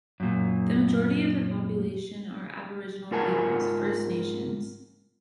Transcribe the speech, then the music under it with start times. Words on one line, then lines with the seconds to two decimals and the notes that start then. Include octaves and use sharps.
The majority of the population are Aboriginal peoples, First Nations.
0.20 F#2 A#2
3.11 G#2 F4 A#4 F#5 G#5 A5